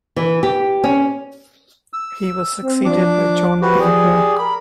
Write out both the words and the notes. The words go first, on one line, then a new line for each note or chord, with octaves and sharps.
He was succeeded by John P. Burke.
E3
G4
C#4
E6
C4
F3 D4 D6
F#4 G4 B4
G4 G#4 D5
A#4 B5